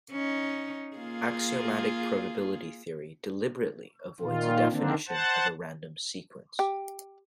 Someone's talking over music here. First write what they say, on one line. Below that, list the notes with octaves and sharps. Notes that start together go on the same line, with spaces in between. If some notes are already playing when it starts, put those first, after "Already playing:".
Axiomatic probability theory "deliberately" avoids a definition of a random sequence.
C#4 D#4
A#3 F4 G#4
A#2 D#3 F4
D3 D#3 A#3 C4 D4
C5 F#5 A5
G4